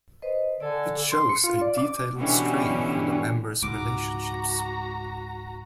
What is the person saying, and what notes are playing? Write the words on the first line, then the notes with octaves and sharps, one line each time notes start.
It shows a detailed strain on the members relationships.
B4 C5 D#5
D3 A4 D5 G#5
C6
C#7
F4
D5
D6
B2 D3 E3 C#4 F#4 G4
C#2 G#2 F#4 A#5 D6